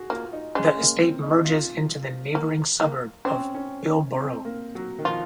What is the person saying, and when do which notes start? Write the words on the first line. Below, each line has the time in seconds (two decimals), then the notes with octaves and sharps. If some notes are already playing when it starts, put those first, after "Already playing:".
The estate merges into the neighbouring suburb of Bilborough.
Already playing: F#4 G#4
0.10 A#3 F4
0.33 D#4
0.55 G#3 C#4
0.77 A#3
1.01 C4
1.23 D#4
1.45 F4
2.35 A#3
2.80 A#3
3.25 C4 C#4
3.55 C#4
4.15 C4
4.45 A#3
4.75 F#3
4.99 D#3
5.05 F3 F4